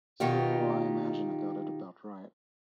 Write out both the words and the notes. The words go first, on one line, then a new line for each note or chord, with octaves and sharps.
So I imagine I got it about right.
B2 D#3 D#4 F4 G4